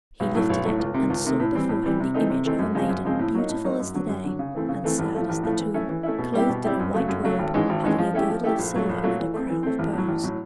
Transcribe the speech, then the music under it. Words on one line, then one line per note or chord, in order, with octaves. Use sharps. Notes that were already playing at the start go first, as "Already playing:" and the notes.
He lifted it, and saw before him the image of a maiden beautiful as the day and sad as the tomb, clothed in a white robe, having a girdle of silver and a crown of pearls.
B1
A2 F#3 A3
B1
A2 F#3 A3
C#2
C3 D#3
C#2
C3 D#3
A2
E3 G3 C4
A2
E3 G3 C4
C3
E3 A3 C4 D#4
C3
E3 A3 C4 D#4
F#2
C#3 F3 G#3 C4
F#2
C#3 F3 G#3 C4
A2
F#3 A#3 D#4
A2
F#3 A#3 D#4
F#2
D3 F#3
F#2
D3 F#3
C#3
E3 A3 C4
C#3
E3 A3 C4
A1
A2 F3 A3
A1
A2 F3 A3
E3
A3 C#4 E4
E3
A3 C#4 E4
B2
G3 C4 E4 G4
B2
G3 C4 E4 G4
F#2
C#3 F#3 A3
F#2
C#3 F#3 A3
G#1
G#2 E3 G#3 C#4
G#1
G#2 E3 G#3 C#4
F3
A3 C#4 E4 G4
F3
A3 C#4 E4 G4
A#1
A#2 F#3 A3
A#1
A#2 F#3 A3
E3
A3 C4
E3
A3 C4
A1
A2 F#3
A1
A2 F#3